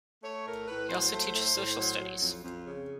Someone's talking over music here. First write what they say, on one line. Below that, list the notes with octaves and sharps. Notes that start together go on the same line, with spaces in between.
He also teaches social studies.
A3 C#5
A2 A#4
A2 B4
F#3 C5
A3
A2
A2
F#3
F#3
F2
F2
C#3